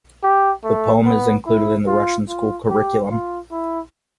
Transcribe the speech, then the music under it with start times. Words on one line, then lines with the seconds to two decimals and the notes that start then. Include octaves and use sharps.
The poem is included in the Russian school curriculum.
0.23 G4
0.64 A3
1.06 B3
1.46 E4
1.87 F4
2.28 F4
2.70 G4
3.11 F4
3.51 E4